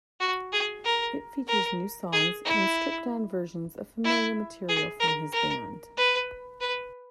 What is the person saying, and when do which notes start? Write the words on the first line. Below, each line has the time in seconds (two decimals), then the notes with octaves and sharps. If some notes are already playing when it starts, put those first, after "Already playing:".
It featured new songs and stripped-down versions of familiar material from his band.
0.20 F#4
0.53 G#4
0.84 A#4
1.48 A#4
2.12 G#4
2.45 E4
4.04 E4
4.69 G#4
5.00 A#4
5.32 A#4
5.97 B4
6.60 B4